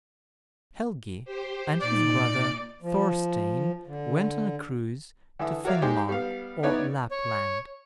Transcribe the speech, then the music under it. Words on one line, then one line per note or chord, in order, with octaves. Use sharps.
Helgi and his brother Thorstein went on a cruise to Finnmark, or Lapland.
G4 C5
A#2 D#4 D5
F3
D3
D3 E3 E5 D#6
F#4 A#4 C#5 D5 E5 F5
G#3 D#4 G4 C5
G3 B3 F5
B3 D#4 B4 C#5 D5 E5
C#5